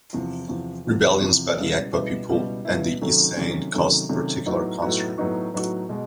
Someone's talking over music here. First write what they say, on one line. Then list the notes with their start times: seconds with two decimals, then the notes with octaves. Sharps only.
Rebellions by the Egba people and the Iseyin caused particular concern.
0.13 E2 C3 F3
0.48 E2 C3 F3
0.85 E2 C3 F3
1.21 E2 C3 F3
1.57 C#2 B2 G3 B3 E4
1.92 C#2 B2 G3 B3 E4
2.29 C#2 B2 G3 B3 E4
2.65 C#2 B2 G3 B3 E4
3.01 C3 D#3 F#3 A3 C#4
3.37 C3 D#3 F#3 A3 C#4
3.73 C3 D#3 F#3 A3 C#4
4.09 C3 D#3 F#3 A3 C#4
4.46 A2 F#3 B3 D#4 F#4
4.82 A2 F#3 B3 D#4 F#4
5.18 A2 F#3 B3 D#4 F#4
5.54 A2 F#3 B3 D#4 F#4
5.89 B2 G#3